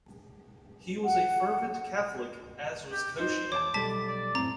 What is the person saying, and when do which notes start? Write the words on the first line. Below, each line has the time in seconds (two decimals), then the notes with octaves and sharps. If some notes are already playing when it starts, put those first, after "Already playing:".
He was a fervent Catholic, as also was Cauchy.
1.05 F#5
2.92 G4
3.20 D#4 C5
3.52 E2 C5 C#5 A5 D6
3.74 B1 G3 A4 A5 B6
4.07 D5
4.35 F#2 A2 C4 A#5